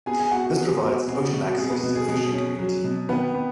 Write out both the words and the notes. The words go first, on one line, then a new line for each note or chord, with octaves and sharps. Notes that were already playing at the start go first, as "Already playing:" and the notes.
This provides ocean access to the fishing community.
B3 G#4 G#5
G#4 G#5
B3 F#4 F#5
F#4
B3 G#4
B3 F#4
B2 G#4
F#4
B2 F#4
F#4
B2 G#4
B3 B4
B2
G#4
B2
C#4
F#3
B2
D#3 B3 B4
B3